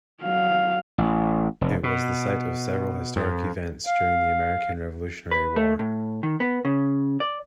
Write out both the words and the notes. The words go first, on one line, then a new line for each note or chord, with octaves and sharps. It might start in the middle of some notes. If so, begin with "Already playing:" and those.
It was the site of several historic events during the American Revolutionary War.
F#3 F5
A1
F1
B2
F2
F5
B4
A3
A2
D#3
B3
C#3
D5